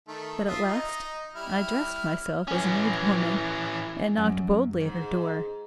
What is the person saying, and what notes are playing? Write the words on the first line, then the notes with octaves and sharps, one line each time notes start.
But at last I dressed myself as an old woman, and knocked boldly at her door.
D#3 A3
F4 E5 D#6
D#4 D#5
G3 E4 F6
E3 C#4
F#2
G#2